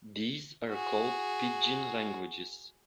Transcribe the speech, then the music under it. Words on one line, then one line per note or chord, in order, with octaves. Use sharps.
These are called "pidgin languages".
F#4 G#4